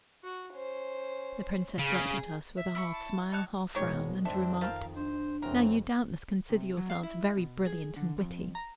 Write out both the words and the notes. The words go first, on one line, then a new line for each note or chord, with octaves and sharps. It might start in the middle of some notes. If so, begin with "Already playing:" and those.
The princess looked at us with a half smile, half frown, and remarked: "Now you doubtless consider yourselves very brilliant and witty."
F#4
C#4 C5
C#3 G#4
E5
E4 B5 C#6
A5
D#4 C#5 A5 F#6
C2 B2 D#3 G#3 G4 C#5
F2 D#3 C4 D4 A4 E5
F3 C4 A#4 F5
D4 C5
F1 F2 E3 F#3 C4 A#4
C3
F#3
F5
E4
B2
G#4
D3
F2
A#5